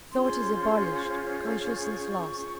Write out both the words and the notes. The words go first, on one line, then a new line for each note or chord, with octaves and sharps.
Thought is abolished, consciousness lost.
C#4 F4 G#4 C5 C6
C#6